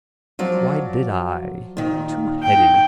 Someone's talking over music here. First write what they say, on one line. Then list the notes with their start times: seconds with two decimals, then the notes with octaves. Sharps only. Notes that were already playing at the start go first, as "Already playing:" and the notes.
Why did I? Too heady.
0.39 F3 F#3 D5
1.77 A#2 D#3
2.43 G5